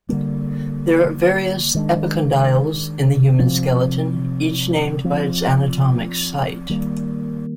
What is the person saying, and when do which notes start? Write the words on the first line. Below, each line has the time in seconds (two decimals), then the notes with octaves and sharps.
There are various epicondyles in the human skeleton, each named by its anatomic site.
0.09 D3 G3 A#3
1.75 D#3 G#3 D4
3.39 C3 F3 C4
5.04 F3 C4
6.69 D#3 G3 A#3